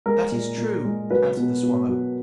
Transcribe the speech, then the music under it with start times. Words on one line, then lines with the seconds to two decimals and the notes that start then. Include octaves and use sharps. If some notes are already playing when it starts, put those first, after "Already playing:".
'That is true,' answered the swallow.
0.06 G#3 A#4
0.32 A#2
0.58 A#2
0.84 G#3
1.11 F#3 B4
1.37 B2
1.63 B2
1.89 F#3